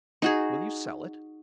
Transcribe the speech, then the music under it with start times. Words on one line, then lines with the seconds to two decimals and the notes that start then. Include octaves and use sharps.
Will you sell it?
0.22 D#4 F#4 G#4